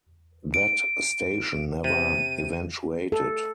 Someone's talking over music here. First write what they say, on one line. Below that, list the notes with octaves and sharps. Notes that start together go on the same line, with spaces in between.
That station never eventuated.
D7
C3 D#7
A4